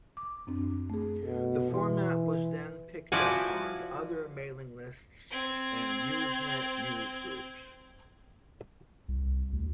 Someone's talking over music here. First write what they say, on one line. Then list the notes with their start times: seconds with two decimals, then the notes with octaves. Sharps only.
The format was then picked up on other mailing lists and Usenet news groups.
0.17 D6
0.47 F#2 C4 D4
0.90 A3 G#4
1.23 B2 A4
1.70 B2 E3 C6
3.12 F3 E4 F#4 D5 G#5
5.31 C4 G#6
9.08 C2
9.53 D2